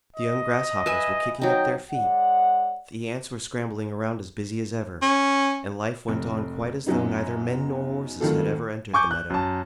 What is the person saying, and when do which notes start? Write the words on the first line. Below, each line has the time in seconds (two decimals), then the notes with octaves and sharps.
The young Grasshoppers were kicking up their feet, the Ants were scrambling around as busy as ever, and life went on quite as though neither men nor Horses had ever entered the meadow.
0.16 D#5
0.86 B4 E5 G#5
1.42 F#3 D#4 G5
1.90 G#3 C#5 D5 F#5
5.02 C#4
6.08 F1
6.86 F#2 B2 F#3 B3 D#4
8.20 F2 D#3 F#3 A3 F4 A4
8.94 G#5 C#6 D6 G6
9.11 F#6
9.30 F#2 A5